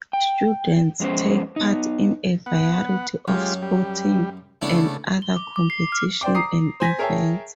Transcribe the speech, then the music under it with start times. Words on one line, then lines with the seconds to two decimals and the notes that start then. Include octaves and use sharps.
Students take part in a variety of sporting and other competitions and events.
0.13 G5
1.00 F2 G#3 B3 C#4 C5
1.56 B3 D#4
2.46 B3 F#5
3.28 F#2 G#3 F4 G4
3.62 G3
4.62 C#3 A3 B3 D4 E4
5.22 G7
5.36 D6
5.56 D6
5.70 C7
5.92 F6
6.21 C5 D5 G5 D6
6.35 A#5 D6 D#6 C7
6.80 C5 G#5 A#6 B6
6.98 G#4 A#4 C#5 E5 G5 A5